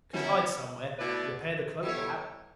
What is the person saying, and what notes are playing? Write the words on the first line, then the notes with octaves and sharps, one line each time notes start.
I could hide somewhere, repair the cloak perhaps.
B2 F#3 C#4 E4
B2 A3 E4 B4 D5
G3 B3 E4 A4 C#5